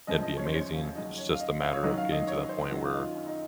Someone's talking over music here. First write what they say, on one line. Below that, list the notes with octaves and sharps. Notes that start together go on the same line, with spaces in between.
it'd be amazing. It's just a matter of getting to that point where
F#2 C#3 F3 D#5
D#5
C#5
C5
C#5
F5
D#2 C#3 F#3 D#5
C#5
F5
D#5
F5
C#5
F#2 D#3 F#3 D#5
F5
D#5
C#5
C5
F#2 D#3 F#3 F#4
F4
D#4
C#4
D#4